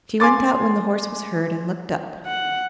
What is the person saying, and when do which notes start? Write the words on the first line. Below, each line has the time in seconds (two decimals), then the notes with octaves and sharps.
She went out when the horse was heard, and looked up.
0.20 G#5 C6 D6 A6
2.26 F#5